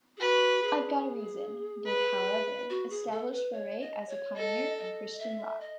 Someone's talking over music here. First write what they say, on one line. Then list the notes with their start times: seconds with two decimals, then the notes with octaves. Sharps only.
"I've Got a Reason" did, however, establish Furay as a pioneer in Christian Rock.
0.17 G#4
0.20 F#4 B4
0.62 G#4
1.86 B4
2.70 F#4
2.90 G#4
3.11 A4
3.32 B4
3.53 C#5
3.81 D#5
4.09 C#5
4.36 A4 D#5
4.77 D#5
5.19 E5
5.61 D#5